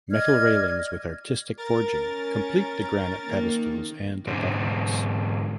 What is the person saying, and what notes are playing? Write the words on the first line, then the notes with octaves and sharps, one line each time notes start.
Metal railings with artistic forging complete the granite pedestals and abutments.
D5 D#5 F6 G#6
A#4 A6
C#4
D#3 A#3
G#2 D3